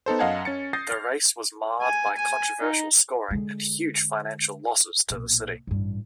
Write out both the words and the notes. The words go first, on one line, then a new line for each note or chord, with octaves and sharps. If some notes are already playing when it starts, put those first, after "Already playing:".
The race was marred by controversial scoring and huge financial losses to the city.
B3 D#4 A4 C5
F#2 D#5 F5 F#5 A5 G#6
C#4 A6 C#7
D#6 G6 A6 A#6 C7
F6
G#5
G#5
D#4
D3 G#3
B1 A#2
A1 G2